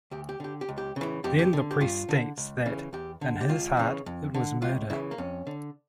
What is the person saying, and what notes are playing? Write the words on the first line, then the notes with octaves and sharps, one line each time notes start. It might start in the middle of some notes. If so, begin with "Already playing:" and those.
Then the priest states that, in his heart, it was murder.
D2 G4
G4
D3 G4
G4
C#2
G4
C#3 E3
F2 G4
G4
D3
G4
G2 F4
D3
C#2
C#3 E3
E2 G4
D3
G4
C#2 F4
C#3 E3
F2
D3
C#2 F4
C#3 E3 E4
A#3
F2 C#4
D3